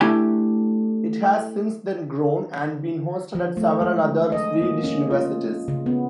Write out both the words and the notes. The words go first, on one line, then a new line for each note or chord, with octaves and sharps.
It has since then grown and been hosted at several other Swedish universities.
A3 D4 E4 G4 G#5
F3
A3
G#3
D#5
A#3
C#4
F4
C#3
B3